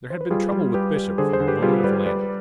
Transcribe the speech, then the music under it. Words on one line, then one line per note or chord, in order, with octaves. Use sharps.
There had been trouble with Bishop from the moment of landing.
C5
B4
G3 F4 G#4
G3
G3 G4 B4
G3
D3 G#4 C5
G#4 C5
D3
G4 B4
G3 F4 G#4
G3 G4 B4
G3 B4 D5